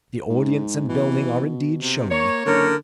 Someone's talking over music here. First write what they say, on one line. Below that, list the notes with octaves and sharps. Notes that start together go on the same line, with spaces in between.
The audience and building are indeed showy.
G#2
B2 E3
C3
A#3 C#5
F#1 D3 A#4